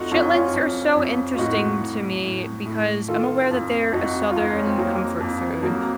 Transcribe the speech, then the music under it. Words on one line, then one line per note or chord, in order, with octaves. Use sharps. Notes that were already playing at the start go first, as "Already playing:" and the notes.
Chitlins are so interesting to me because I'm aware that they're a Southern comfort food
Already playing: F2 D#4 F4 F#4 A4
F2 C#4 F4
C#4 F4
F2
F2
F4
A2 D#4 F#4
A2
A2
A2
D#3 F4 A4
F2
F2 D#4 F#4
F4
F2
D#4
C#4
C4
F2 F#3 A#3
F2
F2 F#3 A#3